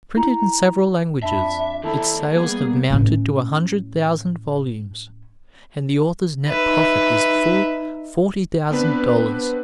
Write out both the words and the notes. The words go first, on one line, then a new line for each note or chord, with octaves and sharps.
Printed in several languages, its sales have mounted to a hundred thousand volumes, and the author's net profit is full forty thousand dollars.
E4 A#5
F2 D4 E5 A5 B5
D#3 A3 E4 A4 A5
G3 A#3 B3 G#4 G#6
A2 C#4
D#4 B4 E5
B3 C4 D4 B4